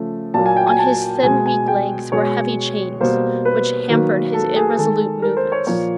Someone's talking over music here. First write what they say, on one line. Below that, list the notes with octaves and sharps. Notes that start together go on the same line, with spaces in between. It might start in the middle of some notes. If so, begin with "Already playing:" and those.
On his thin, weak legs were heavy chains which hampered his irresolute movements.
Already playing: C#3 F3 A3
A#2 F#3 A#3 A5
G#5
G5
G#5
A5
B2 G#3 G#5
G#5
G5
B2 G#3 C#5
B2 G3 A#3 C5
B4
D#3 F#3 A#3
A4
G#4
D#3 G#3 A4
A#4
C5
C#5
A#2 F3 A#3 C#5